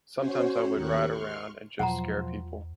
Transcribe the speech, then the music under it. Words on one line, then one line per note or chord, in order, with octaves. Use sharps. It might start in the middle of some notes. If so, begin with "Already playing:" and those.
Sometimes I would ride around and just scare people.
C#4 F#4 C5 C#5
D#2 G4 A#4 C#6 F#6
C6 C#6 F6
E2 B2 F3 F#3 F#5 A5 A#5 C6